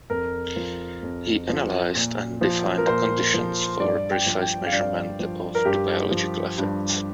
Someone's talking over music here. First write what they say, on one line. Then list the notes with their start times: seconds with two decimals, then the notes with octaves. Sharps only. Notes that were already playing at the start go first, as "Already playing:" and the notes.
He analyzed and defined the conditions for precise measurement of the biological effects.
0.10 F2 A#4
0.56 F3
1.03 F2
1.49 F3
1.95 A#2
2.41 F3
2.78 A#4
2.87 A#2 C5
3.34 F3
3.80 G2 D5
4.11 G5
4.26 F3
4.41 G5
4.66 F5
4.72 G2 D5
5.19 F3
5.55 A#4
5.65 G2 G4
6.11 F3
6.58 G2